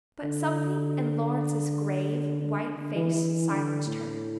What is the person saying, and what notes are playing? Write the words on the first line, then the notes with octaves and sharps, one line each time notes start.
But something in Lawrence's grave, white face silenced her.
D3
D3
D3
D3
E3
E3
D3
A2